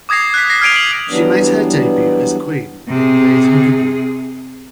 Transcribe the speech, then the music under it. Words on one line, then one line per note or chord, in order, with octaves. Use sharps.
She made her debut as queen in "Les Huguenots".
D6 D#6 G#6 A#6 C7
F#6 B6
A#6 C7
F6 G#6 C7 D7 D#7 F7
F7 F#7
E3 F#3 G3 B3 D4
C3 G#4